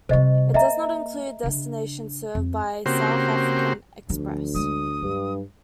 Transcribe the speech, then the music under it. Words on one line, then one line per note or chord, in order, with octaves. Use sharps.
It does not include destinations served by South African Express.
C3 G3 C5 D#5 C#6
A#3 D#5 E5 A#5
C#3 D4
F2
C#3 A#3 C4 F#4 G4 C5
D2 F3
G#3 A3 D#6
G2 F#3